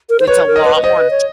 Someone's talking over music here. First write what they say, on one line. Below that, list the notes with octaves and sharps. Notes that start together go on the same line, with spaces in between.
It's a lot more
A#4
C5
B4 C#5
A#4
D#5
B4
B4
C5 D#5
B4
C#5